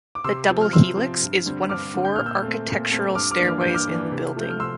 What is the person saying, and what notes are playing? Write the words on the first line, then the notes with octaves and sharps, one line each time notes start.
The double helix is one of four ‘architectural’ stairways in the building.
D6
C3 C6 E6
F3 C4
F6
C3 C6 E6
F3 C4
G2
D3 G3 C4
G2 D6 F6
D3 G3 C4
G6
A#2 F6
E6 G6
A3 C4
A#2
A3 C4
G2 D6 F6
D6 F6
E3 A#3 D4
F6
G2 G6
D6 F6
E3 A#3 D4
C3
F3 A3 G6
F6
C3 C6 E6